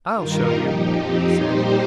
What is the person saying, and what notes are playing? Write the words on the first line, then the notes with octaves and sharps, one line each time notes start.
"I'll show you," he said.
G2 D#3 G3 D#4 F4 A#4
A#2 F3 D#4 G4
F2 F3 C4 D#4 G4
A#2 G3 D#4 G4 C5